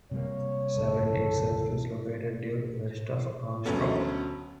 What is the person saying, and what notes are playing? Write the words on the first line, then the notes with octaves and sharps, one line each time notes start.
Sabine itself is located due west of Armstrong.
C3 G3 A#3 C#5
G1 C#2 C3 A4
D2 F#3 B3 C#4 A4